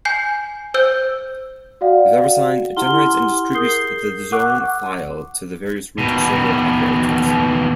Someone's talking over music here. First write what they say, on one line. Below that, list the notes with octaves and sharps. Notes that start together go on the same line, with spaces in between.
VeriSign generates and distributes the zone file to the various root server operators.
G#5 G6 C7
C5 E6 G6
F#4 D5 F5 F#5
E4 G4 F#5 C6 F6 G7
G#4 A#4 D#6 G6 C7 G7
F#5 C#6 D6 E6 F#6
F#5 D6
D#2 B2